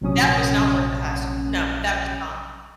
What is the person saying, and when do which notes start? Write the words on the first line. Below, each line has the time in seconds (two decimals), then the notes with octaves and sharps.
That was not worth the hassle. No. That was not.
0.01 A#1 C3 F#3 C#4 D#6